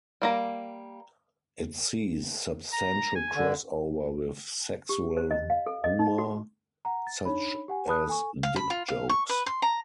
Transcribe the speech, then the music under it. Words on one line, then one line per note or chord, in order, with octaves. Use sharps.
It sees substantial crossover with sexual humour, such as dick jokes.
G3 A#3 A#5
A#5
G#5
D3
G4
C5
D#5
F5
A4
D#5
D#4
F#4
F#5 A#5
A6
D4 D#4 C#5 B5
G4 F#5 G#5
A5 B5 D#6 F#6
A4 G#5 C#6
F5
B5
F4
F5
C#6
B4
C6
A#5